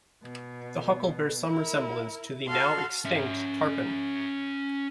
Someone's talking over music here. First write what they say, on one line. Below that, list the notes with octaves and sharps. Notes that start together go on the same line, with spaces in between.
The Hucul bears some resemblance to the now-extinct Tarpan.
B2
E4 A#4
F#4 A4 F5 A5 C6
C#4 E5